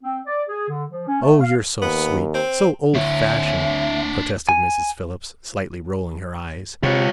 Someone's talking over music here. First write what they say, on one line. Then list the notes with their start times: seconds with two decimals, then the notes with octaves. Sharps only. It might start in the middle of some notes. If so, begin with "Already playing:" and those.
"Oh, you're so sweet, so old-fashioned!" protested Mrs. Phillips, slightly rolling her eyes.
0.04 C4
0.26 D5
0.48 G#4
0.69 D3
0.91 F3
1.07 C#4
1.21 A3
1.41 F5
1.82 D#2 B3
2.34 C4
2.95 D2 D3 D4 C#5 E5
4.49 G#5
6.83 C3 F4 C#5